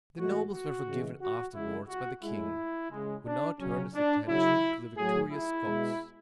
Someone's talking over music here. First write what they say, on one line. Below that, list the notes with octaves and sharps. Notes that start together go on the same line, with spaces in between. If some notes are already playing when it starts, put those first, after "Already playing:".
The nobles were forgiven afterwards by the king, who now turned his attention to the victorious Scots.
A2 E3 G#3 F#4
F#4
C#3 E3 G#3
F#4
C#3 G#3 E4
F#4
A2 G#3 E4
C#3 G#3
D4
C#3 F#3 C#4
D4
C#3 F#3 E4
A2 F#3 G#4
E4
B2 G#3